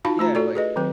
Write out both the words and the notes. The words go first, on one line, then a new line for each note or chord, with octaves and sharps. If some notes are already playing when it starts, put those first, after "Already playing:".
Yeah, like
D#4 F4 F#4 F5 A5 B5
A3 F4 A#5
F#4 A4 D5
G#4 B4 D#5
D#3 F#3 C4 B4